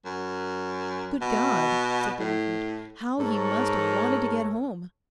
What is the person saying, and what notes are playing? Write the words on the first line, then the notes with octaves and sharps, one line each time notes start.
Good God!' said Lawford, 'how he must have wanted to get home!
F#2
B2
A2
G#2 A4 A#4 C#5